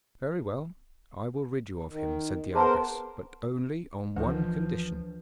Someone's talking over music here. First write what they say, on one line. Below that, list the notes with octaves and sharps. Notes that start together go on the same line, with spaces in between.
'Very well, I will rid you of him,' said the ogress, 'but only on one condition.
D#3
B3 G#4 A#4 C5 A5 A#5
D2 E3 F3 D4 B4